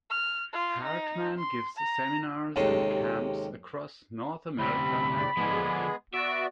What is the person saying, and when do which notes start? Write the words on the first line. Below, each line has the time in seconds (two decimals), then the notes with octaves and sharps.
Hartman gives seminars and camps across North America and Europe.
0.10 F6
0.53 F4
0.83 D#4
1.38 C6
1.77 A#5
2.56 D#2 C3 G#3 C#4 A4 C6
4.58 D2 C3 G3 C4 B5
5.17 C#3 C4 D5
5.37 D3 F3 G#3 B3 G#4
6.14 B3 F#4 D5 E5 D7